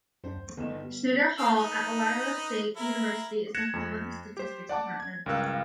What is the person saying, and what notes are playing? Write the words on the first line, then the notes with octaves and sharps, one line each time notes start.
Snedecor Hall, at Iowa State University, is the home of the Statistics Department.
F#2 C4 D4 C5
D2
G1 D3 D#3 B3 E7
G3
A#3 F5 E6
D#4 B4
E4 A#4
F#6 G#6 A#6 C#7 E7
F2
G4 C5
D5 F#5 A5 D6
G#6
C#2 G2 A#4 F5 E6 F#6